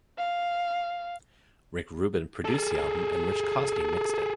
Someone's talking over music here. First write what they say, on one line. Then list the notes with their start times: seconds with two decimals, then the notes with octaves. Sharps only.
Rick Rubin produced the album and Rich Costey mixed it.
0.18 F5
2.45 G#4 A4